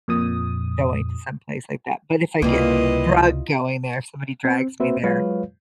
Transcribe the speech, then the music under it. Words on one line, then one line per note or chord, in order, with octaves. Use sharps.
going to some place like that. But, if I get drug going there, somebody drags me there,
F2 A#2 D#6
C#2 C3 G3 A#3 E4 F4 B4 D#5
C4
A#3 C4 F#4 B4 C5 E5
F#3 G#3 F4 B4 C#5 F5